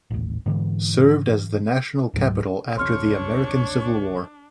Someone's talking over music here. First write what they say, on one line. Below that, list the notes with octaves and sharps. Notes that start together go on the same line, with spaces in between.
Served as the National capital after the American Civil War.
D#1 A1
G#2 D3 E3
C#2 G#2 F#3
C2 F2 C#3 D4 C#5 C6 C#6 F6